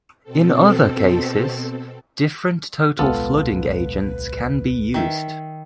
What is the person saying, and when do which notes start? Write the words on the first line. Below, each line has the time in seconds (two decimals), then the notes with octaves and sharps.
In other cases, different total flooding agents can be used.
0.23 B2 C4 A4
2.99 D1 B1 G#3 B3 F4 A4 B4
4.94 D#3 E5